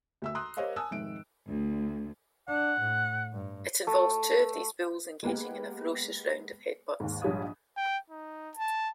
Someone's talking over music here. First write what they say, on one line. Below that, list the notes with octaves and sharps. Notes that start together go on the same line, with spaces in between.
It involves two of these bulls engaging in a ferocious round of headbutts.
D2 E5 E6
A#5 C6 D#6 F#6
G4 A#4 C5 C#5 D#5 F5
G#5 A5 D#6 E6 F#6
F1 G#2 D#3 E5 D7
D2
D4 F#5
A2
G2
A3
G#3 A#3 B3 G4
D#2 G#2
A#1 G#2 G3 C#5 F5 D#6
G5
D#4
A5